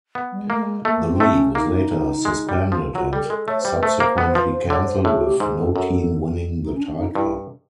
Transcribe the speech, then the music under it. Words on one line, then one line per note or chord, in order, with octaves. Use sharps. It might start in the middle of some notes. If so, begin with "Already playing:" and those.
The league was later suspended and subsequently cancelled with no team winning the title.
B3
G3
G#3
A3 A#3
G#3
A3 A#3
C4
A3
C#4
A#3 D#4
G#3
G3
F3
F#3 F4
G3 A4
A#4
G#3 A4
A3 C#5
G3 C5
B4
A3 C5
A#3
B3
C5
F3 B4
C5
D3 C#5
C#5
C5
A2 G#4
G4
G#2 G#4
A4
F#2
D#4
C#4
D4
D#4
D#4
G2 E4